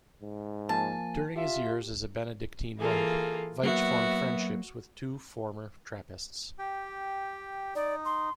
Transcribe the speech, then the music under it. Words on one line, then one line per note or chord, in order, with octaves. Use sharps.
During his years as a Benedictine monk, Veitch formed friendships with two former Trappists.
G#2
F3 A#3 G#5 A5
F4 G4 E5
E3 A#3 F4 G#4 A4
F#3 A#3 B3 F#4 E5
G4 G5
D#4 D5
C6